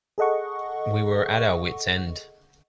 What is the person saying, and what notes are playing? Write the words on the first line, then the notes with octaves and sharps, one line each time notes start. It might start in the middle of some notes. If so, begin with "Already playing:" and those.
We were at our wits' end.
G#4 A4 D#5 F#5 C#6